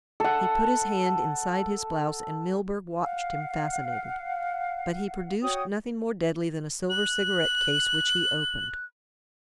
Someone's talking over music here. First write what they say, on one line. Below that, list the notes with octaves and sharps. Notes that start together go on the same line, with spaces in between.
He put his hand inside his blouse and Milburgh watched him fascinated, but he produced nothing more deadly than a silver cigarette-case, which he opened.
A4 F#5
F5 F#5
F#4 C#5 G5 D#6
F#6 F#7